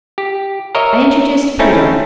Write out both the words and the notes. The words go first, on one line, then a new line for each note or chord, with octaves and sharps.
I introduced Peter.
G4
A#4 C#5 D#5 E5
A3 C4 C#4 D#4 E4